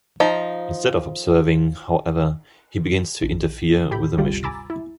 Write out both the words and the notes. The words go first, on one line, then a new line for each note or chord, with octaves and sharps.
Instead of observing, however, he begins to interfere with the mission.
F3 D#4
A#1
A2 G4 A4 B5 G6
G#1 D2 C3 G3 F4 G4
G#5 A#5 B5 D6 E6 A6
E4